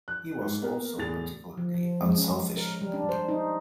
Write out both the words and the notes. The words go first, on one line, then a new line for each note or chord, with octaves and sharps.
He was also particularly unselfish.
F#6
G#2
A#3 B3 A#4
E2 A2 G#4 A6 F7
F3
F3
G#3
C#4
A#4
G3
D4
C5
D#4